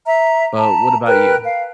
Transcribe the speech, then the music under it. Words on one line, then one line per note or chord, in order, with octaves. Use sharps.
But what about you?
E5 A#5
A5 A#5
A#4 B4 G5 F#6
F5